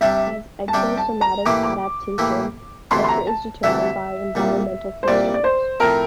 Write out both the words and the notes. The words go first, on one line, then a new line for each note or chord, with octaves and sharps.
As exosomatic adaptation, culture is determined by environmental constraints.
C3 G3 D4 G4 E5
A5
C3 G3 D4 G4 G5
A5
A#5
A2 E3 A#3 E4 G4 D6
A2 E3 A#3 E4 G4
D2 C3 E3 A3 E4 C6
C6
A#5
A5
D2 C3 E3 A3 E4 E5
C2 A#2 G3
C5
C2 A#2 G3 D5
D5
C5
A2 F3 C4 A#4